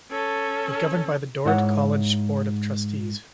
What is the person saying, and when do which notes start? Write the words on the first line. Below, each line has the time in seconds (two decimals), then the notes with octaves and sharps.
It governed by the Dordt College Board of Trustees.
0.11 C#4 A4
1.45 G#2 E4 C#5 F#5